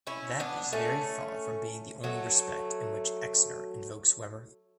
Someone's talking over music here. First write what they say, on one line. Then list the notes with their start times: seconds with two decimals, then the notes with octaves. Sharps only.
That is very far from being the only respect in which Exner invokes Weber.
0.07 C#4 E4
0.40 B3 D4
0.73 A3 C#4
2.04 F#3 A3